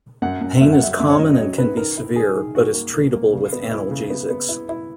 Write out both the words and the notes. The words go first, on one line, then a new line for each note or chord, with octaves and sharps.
Pain is common and can be severe, but is treatable with analgesics.
F#2 F#5
F#2
F#2 E5
F#5
F#2 E5
F#2 E5
C#5
F#2 D#5
D#5
F#3 C#5
D#3 B4
D#3 A#4
E4
D#3 G#4
D#3
D#3 F#4
A#3
A#3
A#3
C#3
B3
E4
C#3
B3
B3
E4
E4